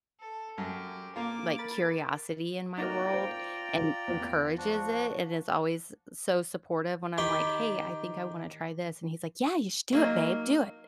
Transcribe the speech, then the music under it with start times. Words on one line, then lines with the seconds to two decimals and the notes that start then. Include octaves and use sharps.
like, curiosity in my world and encourages it and is always so supportive when I'm like, "Hey, I think I wanna try this." And he's like, "Yeah. You should do it, babe. Do it."
0.21 A4
0.58 F#2 F#3 G4
1.16 A#3 F4 D6
1.58 A#4 B5 A6
2.78 D#4 F4 F#4 A#4 D5 G5 A#5
3.13 C5
4.08 E2
4.57 F3 D4 F#4
7.18 D#3 G4 G5 B5
9.92 F#3 A#3 D#4